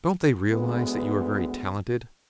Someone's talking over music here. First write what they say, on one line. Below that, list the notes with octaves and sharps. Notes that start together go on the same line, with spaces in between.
"Don't they realize that you are very talented?"
D2 G#3 B3